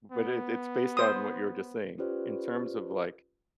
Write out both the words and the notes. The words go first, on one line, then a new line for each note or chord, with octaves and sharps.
but it it's based on what you were just saying. In terms of, like,
B3
C5 D#6
C#4 F4 G4 B4 C5 D5